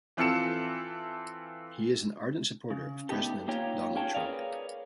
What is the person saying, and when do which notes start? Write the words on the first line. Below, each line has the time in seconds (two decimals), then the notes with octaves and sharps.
He is an ardent supporter of president Donald Trump.
0.17 E3 C4 F4 A4 C#7 E7
2.70 C#3
3.09 A3 B3 D4 D#4 G4 A4
3.48 A#3 D#4 F4 G4 C#5 G5
3.95 C#4 F4 G#4 C#5 G5 A5
4.15 G#4 A#4 B4 C#5 D5 F5